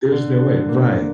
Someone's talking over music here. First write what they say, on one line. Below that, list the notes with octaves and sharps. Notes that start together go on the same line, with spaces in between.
There's no way. Right.
D3
D3
A#3
A#3